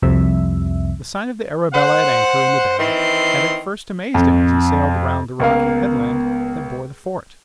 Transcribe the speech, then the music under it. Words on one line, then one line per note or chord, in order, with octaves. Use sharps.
The sight of the Arabella at anchor in the bay had at first amazed him as he sailed round the rocky headland that bore the fort.
C2 F2 C3 E5
C5 F#5
D#3 E3 C4 C6
F2
C#2 A#3 B3 F5